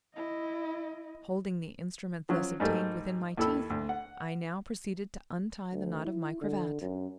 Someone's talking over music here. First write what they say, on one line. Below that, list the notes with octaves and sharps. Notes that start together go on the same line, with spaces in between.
Holding the instrument thus obtained within my teeth, I now proceeded to untie the knot of my cravat.
E4 D#5
F3 F#3 C#4
G#2 G3 A3 A#3
D#2 E4 A4 B5 E6
D2
F#5
D2
E4
D3
F#2